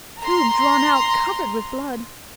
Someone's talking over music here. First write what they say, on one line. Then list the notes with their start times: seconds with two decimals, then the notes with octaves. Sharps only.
Tube drawn out covered with blood.
0.21 A#5 C6